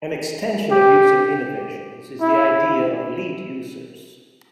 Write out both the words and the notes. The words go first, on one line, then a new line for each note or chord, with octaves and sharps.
An extension of user innovations is the idea of lead users.
G4
E4